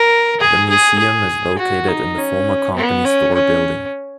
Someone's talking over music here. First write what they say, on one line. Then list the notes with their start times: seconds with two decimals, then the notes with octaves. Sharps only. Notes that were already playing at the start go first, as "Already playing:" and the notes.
The museum is located in the former company store building.
Already playing: A#4
0.41 G#4
0.70 G#4
0.99 G#4
1.58 F#4
1.88 D#4
2.18 C#4
2.75 B3
3.05 C#4
3.35 C#4